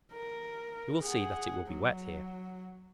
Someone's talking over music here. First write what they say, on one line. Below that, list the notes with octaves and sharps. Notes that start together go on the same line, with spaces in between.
You will see that it will be wet here!
A#4
G#4 F#5
F#3